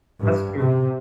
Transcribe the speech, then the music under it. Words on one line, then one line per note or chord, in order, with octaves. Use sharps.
That's true. Yeah.
G2
C3